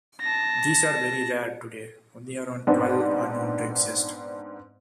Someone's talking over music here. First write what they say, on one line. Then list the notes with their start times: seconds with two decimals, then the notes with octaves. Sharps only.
These are very rare today: only around twelve are known to exist.
0.21 A5 A#6
2.67 G#2 B3 C4 D4